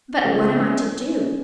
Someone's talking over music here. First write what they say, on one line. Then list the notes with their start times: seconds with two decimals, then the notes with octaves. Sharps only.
"But what am I to do?"
0.24 C#3 F3 G#3
0.56 B3 C#4 E4
0.99 C#4